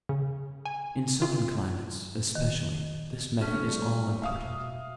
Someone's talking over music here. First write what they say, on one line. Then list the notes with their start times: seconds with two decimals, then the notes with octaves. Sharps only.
In southern climates, especially, this method is all important.
0.09 C#3
0.65 G#5
1.22 F4
2.35 D#3
3.41 A3 C#4 D4
3.69 G3
4.22 B2 E5 F5 D#6